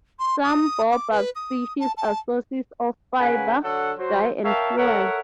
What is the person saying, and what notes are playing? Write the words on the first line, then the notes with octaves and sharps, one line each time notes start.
Some baobab species are sources of fiber, dye, and fuel.
C6
D#6
D6
B4
D#6
A5
A5
C#3 A#3 B4 F#5 G#5
D3 F#3 A4 F#5
F#3 C5
A#4 C#5 E5 F5 G5 A5
A4 A#4 C#5 E5 F#5